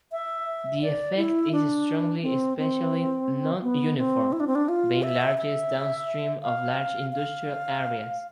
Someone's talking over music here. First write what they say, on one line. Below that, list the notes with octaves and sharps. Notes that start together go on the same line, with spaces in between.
The effect is strongly spatially non-uniform, being largest downstream of large industrial areas.
E5
D5
E4
D4
C4
C4
B3
C4
E4
D4
C4
D4
F4
E5
E5
F5
F5